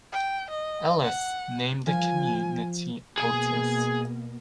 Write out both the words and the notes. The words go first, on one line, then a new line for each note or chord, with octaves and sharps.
Ellis named the community Otis.
G5
D#5
F#5
F3 G#5
B2 A#3 G#4 G#5